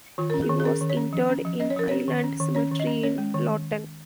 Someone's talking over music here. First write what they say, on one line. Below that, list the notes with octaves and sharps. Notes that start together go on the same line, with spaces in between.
He was interred in Highland Cemetery in Lawton.
D#3 F4
C#4 A#4
G#4
D#3
G#4
C#4 A#4
D#3
C#5
C#4
F3
C#4
F3
C#4 D#5
C#5
F3 A#4
C#4 C#5
D#3
C#4
D#3
C#4 C#5
D#3
D#5
C#4
C#4 C#5
G#3
D#3